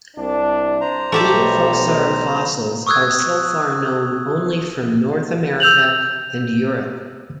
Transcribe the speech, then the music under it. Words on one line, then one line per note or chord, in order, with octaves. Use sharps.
Edaphosaur fossils are so far known only from North America and Europe.
C2 D4
C5 A#5
B1 A3 G4 A4
C#6 D#6 E6 F#6 G#6
E6 G6 F7 F#7